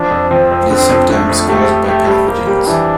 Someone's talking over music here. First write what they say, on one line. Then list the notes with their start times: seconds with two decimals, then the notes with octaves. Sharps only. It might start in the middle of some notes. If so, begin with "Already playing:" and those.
It is sometimes caused by pathogens.
Already playing: F3 D4
0.11 F2
0.30 F3 C4
0.51 F2
0.70 D3 C4
0.89 F2
1.09 D3 A3
1.29 F2
1.48 A3 G4
1.68 G4
1.88 A3 G4
2.07 G3
2.27 G3 A#3
2.47 G3
2.66 E3 D4